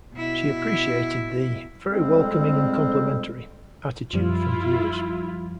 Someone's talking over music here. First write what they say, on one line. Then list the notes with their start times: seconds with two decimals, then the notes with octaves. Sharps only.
She appreciated the "very welcoming and complimentary" attitude from viewers.
0.14 B2 E4
1.91 F2 G#2 D3 G3 G#3 C4
4.13 F#2 F3 G3 E4 F4